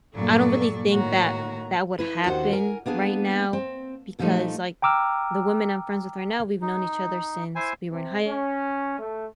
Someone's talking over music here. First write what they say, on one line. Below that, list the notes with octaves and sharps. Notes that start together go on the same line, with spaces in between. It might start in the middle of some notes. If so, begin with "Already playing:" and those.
I don't really think that that would happen right now because, like, the women I'm friends with right now, we've known each other since we were in high
G2 A#2 F#3 A4 D5 C#6
A2 D#3 A#3 F#4 C#5 A#5
E4 B4
D#2 D#3 D4 F#4 C5 F#5
A#4 G#5
A#3 B3 D4 G#4
C4
A#2 D3 F3 G3 A3 D#4
G5 A#5 D6 E6 F6
D#4
E4 C5 G#5
C3
C#4
A3